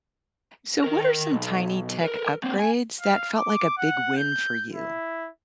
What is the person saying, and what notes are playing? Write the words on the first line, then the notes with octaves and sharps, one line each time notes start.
So, what are some tiny tech upgrades that felt like a big win for you?
D#3 A#4
B1
A#4 B4
A#3 C4
G#5
F5
D6
F#5
G6
E4